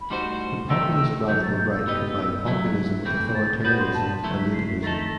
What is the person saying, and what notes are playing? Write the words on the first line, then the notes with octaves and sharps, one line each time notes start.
The populist radical right combined populism with authoritarianism and nativism.
B5
A2 G3 D#4 F#4 C5 C6
C3 D#3 A3 D#4 G4 E6
B2 F#3 A3 G6
A6
G6
E6
B3 D#4 G4 B4 D#5
F#3 A3 E4
A2 E3 A3 C4 G6
A6
B2 G3 B3 F#4 B4 G6
C6
A5
F#3 A3 E4 C6
B6
C7
B6
D#3 A3 D#4 A4 A6
B6